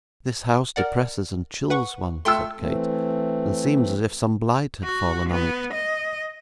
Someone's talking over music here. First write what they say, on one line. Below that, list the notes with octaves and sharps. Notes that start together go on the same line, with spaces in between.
'This house depresses and chills one,' said Kate, 'and seems as if some blight had fallen on it.
A#4 D5 F#5
B4 F#5 C#6
A3 F4 G5 C6 E6
E3 A3 C4
F#4
B3
D#5